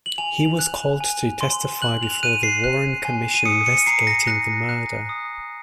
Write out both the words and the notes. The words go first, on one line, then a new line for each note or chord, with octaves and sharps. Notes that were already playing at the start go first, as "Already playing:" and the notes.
He was called to testify before the Warren Commission investigating the murder.
F#7
G#5 F7
F#6
G#5
C6
F#6 F#7
F7
F#6 D#7
C7
F#6
G#5
D#7
D#6 C#7
C#7
A#5 C7
A#6
F#6 A#6
F#6
D#6